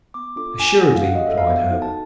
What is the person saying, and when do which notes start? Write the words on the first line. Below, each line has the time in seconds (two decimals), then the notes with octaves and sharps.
"Assuredly," replied Herbert.
0.14 B3 D6
0.36 D4 F4 A4 D6
0.59 D4 G#5
0.81 F#4 A4 F#5
0.95 F5
1.04 D4 F#5
1.15 D#5
1.27 F#4 A4 E5
1.38 F5
1.48 B3
1.71 D#4 F#4 A4
1.82 A5